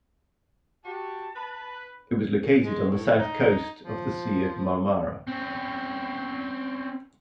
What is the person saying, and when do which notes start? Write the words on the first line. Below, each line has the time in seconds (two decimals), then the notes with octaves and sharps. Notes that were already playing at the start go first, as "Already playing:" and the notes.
It was located on the south coast of the Sea of Marmara.
0.84 F#4 G4 A5
1.35 B4
2.64 G#3
2.89 A2
3.17 D#4
3.85 F3
5.27 C4 C#4